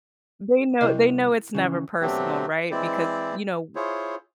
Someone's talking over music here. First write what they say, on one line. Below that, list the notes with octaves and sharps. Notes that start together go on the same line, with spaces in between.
They know they know it's never personal, right? Because, you know
C2 C3 E4 A#4 D#5
C#3 E3
B2 F#3 A3 C4 D4 G4
E3 G#3 C4 E4 C5 D5
E4 F4 G#4 C5 C#5